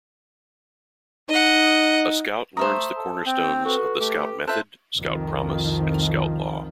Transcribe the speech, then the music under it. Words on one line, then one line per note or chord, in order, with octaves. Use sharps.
A Scout learns the cornerstones of the Scout method, Scout Promise, and Scout Law.
D#4 D#5 F#5
A3 C5 E5 A#5 D#6
A4
C4 G5
F#4 A4 B4
A3 G4
F4 A4 C5 E5 F#6
C2 F2 D#3 F3